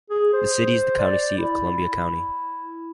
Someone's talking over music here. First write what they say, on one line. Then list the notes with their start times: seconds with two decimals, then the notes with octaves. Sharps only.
The city is the county seat of Columbia County.
0.10 G#4
0.33 C5
0.99 D5
1.37 E4